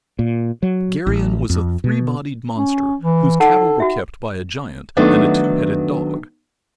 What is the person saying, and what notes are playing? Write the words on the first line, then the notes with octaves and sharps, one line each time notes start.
Geryon was a three-bodied monster whose cattle were kept by a giant and a two-headed dog!
A#2
F#3
A1
F2
B2
C#4
E3
D#4 A4 F#5 A5
F#4 E5
D#3 F#3 A3 B3 D4 D#4